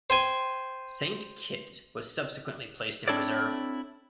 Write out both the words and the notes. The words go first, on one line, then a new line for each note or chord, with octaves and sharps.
"Saint Kitts" was subsequently placed in Reserve.
C5 G5 G#5
C4 D4 E4 A4 C#5 D5